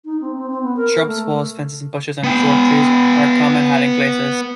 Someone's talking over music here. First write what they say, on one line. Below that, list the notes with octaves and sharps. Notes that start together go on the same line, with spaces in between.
Shrubs, walls, fences, bushes, and short trees are common hiding places.
D#4
C4
C4
C4
B3
A#4
A3
B3 G5